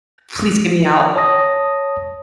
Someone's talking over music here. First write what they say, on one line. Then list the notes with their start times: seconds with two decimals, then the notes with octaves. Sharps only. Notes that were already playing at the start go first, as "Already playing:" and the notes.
please get me out."
1.16 C#5 A5 D#6 A#6